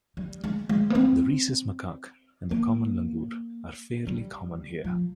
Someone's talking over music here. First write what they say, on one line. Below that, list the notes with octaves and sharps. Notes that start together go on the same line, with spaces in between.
The rhesus macaque and the common langur are fairly common here.
G3
G#3
G#3
A#3
C4
A#3
G3
F3